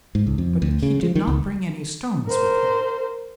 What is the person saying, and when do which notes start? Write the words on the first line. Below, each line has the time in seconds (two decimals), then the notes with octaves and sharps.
But he did not bring any stones with him.
0.15 G#2
0.27 C#2
0.38 F2
0.62 D2
0.82 C#3
1.03 F3
1.15 D#3
1.27 C#2
2.27 A#4 C5